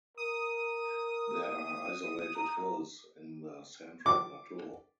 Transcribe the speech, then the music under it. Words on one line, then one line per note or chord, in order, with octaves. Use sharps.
There are isolated hills in the central plateau.
A#4 D#6
A#5
D6